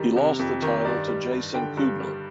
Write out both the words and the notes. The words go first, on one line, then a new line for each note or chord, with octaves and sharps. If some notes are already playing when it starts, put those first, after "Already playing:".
He lost the title to Jason Kubler.
Already playing: F2 D#3 G3
C3
F2
D#3
G2 D5
G3
G2
D3 G5
G2
G3